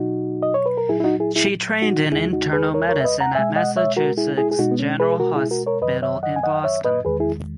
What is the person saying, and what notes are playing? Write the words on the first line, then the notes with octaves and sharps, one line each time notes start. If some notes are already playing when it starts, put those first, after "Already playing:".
She trained in internal medicine at Massachusetts General Hospital in Boston.
Already playing: B2 F#3 D#4 F#4
D#5
C#5
B4
A#4
A#2 F#3 E4 G#4
E4
D#4 F#4
E4 G#4
E4 G#4
D#4 F#4
E2 C#3 G#3 E4 G#4
D#4 F#4
G#4 B4
A#4 C#5
A#4 C#5
E5
B4 D#5
F#5 A#5
B2 G#3 E5 G#5
D#5 F#5
C#5 E5
F#4 A#4
E4 G#4
E4 G#4
G#4
B2 G#3 D#4 F#4
B3
C#4
G#4 B4
F#4 A#4
E4 G#4
F#4 A#4
A#4 C#5
F#2 D#3 F#3 B4 D#5
C#5 E5
D#5 F#5
G#5
D#5 F#5
C#5 E5
B4 D#5
E2 D#3 G#3 G#4 B4
E4 G#4